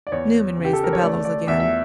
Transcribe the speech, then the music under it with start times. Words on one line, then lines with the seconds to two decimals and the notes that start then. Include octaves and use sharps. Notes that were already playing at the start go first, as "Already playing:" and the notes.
Newman raised the bellows again.
0.07 D5
0.12 E2 C#5
0.58 C#3
0.65 G4
0.73 A4
0.84 A#4
0.93 C#5
1.02 A3 D5
1.25 D5
1.47 E2 E5
1.60 E5